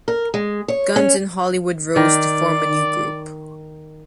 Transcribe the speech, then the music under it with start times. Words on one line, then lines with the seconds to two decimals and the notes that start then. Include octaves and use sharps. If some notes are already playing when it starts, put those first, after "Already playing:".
Guns and Hollywood Rose to form a new group.
0.08 A#4
0.34 G#3
0.68 C#5
0.96 C#4
1.96 D#3 D5